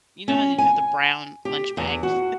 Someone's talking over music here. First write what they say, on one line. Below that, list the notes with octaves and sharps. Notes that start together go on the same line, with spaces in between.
you know how you have the brown lunch bags?
C#4
G#5
G4
E2
F#4